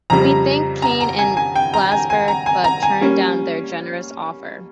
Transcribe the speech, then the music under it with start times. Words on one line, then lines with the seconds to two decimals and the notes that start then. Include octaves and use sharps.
We thanked Kane and Blasberg but turned down their generous offer.
0.10 F2 C#3 G3 A#5
0.82 A#5
1.01 A#5
1.19 G#5
1.37 G#5
1.55 G5
1.74 A#5
1.92 G#5
2.10 G#5
2.28 A#5
2.46 G#5
2.64 A#5
2.83 G#5
3.01 G3 A#3 C#4